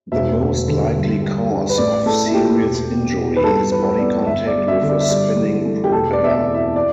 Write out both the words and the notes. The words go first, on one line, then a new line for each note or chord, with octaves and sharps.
The most likely cause of serious injury is body contact with a spinning propeller.
E1 E5
D2
D3
G2
G3
D4
B4
A1 D5
A2 A4
E4
A3 G4
E1
E2
B2
B4
G2 A4
E3 B4
B3 D5
G1 E5
D5
G2
E5
D3
D5
E5
G2 D5
E3
A3
G4
E1 A4
D5
E2 E5
D5
E3
E5
D5